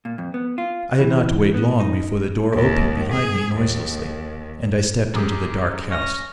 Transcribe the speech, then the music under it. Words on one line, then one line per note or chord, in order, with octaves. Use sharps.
I had not to wait long before the door opened behind me noiselessly, and I stepped into the dark house.
A#2
F2
B3
F4
E3
B3
D#4
D#2
G#4
D#2
F#2 G4 G#4 D6
C#4 A#6